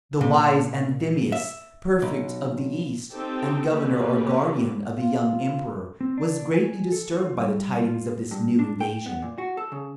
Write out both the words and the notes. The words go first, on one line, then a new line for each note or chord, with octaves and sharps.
The wise Anthemius, prefect of the east, and governor or guardian of the young emperor, was greatly disturbed by the tidings of this new invasion.
A#2
E5
B1
C4 D#4 G4 A4 G5 A5
A#3 C#4 G4 A4 B4
F4
C4
D4
G#5
A4
F4
G3
F4
G2
D4
G5
B3
A#2
F#4
A4
C#3